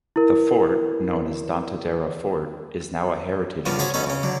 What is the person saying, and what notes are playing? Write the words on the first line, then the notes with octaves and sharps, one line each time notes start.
The fort, known as Danta Dera Fort, is now a heritage hotel.
E4 A#4
G2 C#3 F3 B3 F4
F#4 G#4 C5 C#5 A5 B5
B3 C#4 D#4 A4
C#3 C#4
D3 F#3